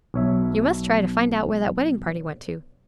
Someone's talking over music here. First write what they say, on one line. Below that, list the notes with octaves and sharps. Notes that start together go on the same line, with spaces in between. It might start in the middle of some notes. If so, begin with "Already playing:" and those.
"You must try to find out where that wedding-party went to."
B1 C#5 E5